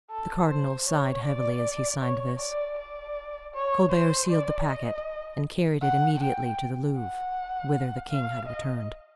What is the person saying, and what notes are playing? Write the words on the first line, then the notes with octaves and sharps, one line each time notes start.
The cardinal sighed heavily as he signed this; Colbert sealed the packet, and carried it immediately to the Louvre, whither the king had returned.
A4
C5
C#5
D5
C#5
D5
D5
C#5
C5
D5
D#5
F#5
G5
F#5
F5
D#5